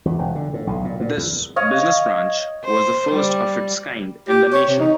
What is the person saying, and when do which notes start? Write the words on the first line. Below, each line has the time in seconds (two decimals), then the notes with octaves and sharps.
This "Business Branch" was the first of its kind in the nation.
0.05 E2
0.19 E1
0.35 D3
0.54 A2
0.67 B1
0.85 A#2
1.00 A#2
1.17 E2
1.56 C#5 D#5 F5
2.65 C5
3.12 G3
4.28 G4
4.53 C#5
4.68 C3
4.80 D#4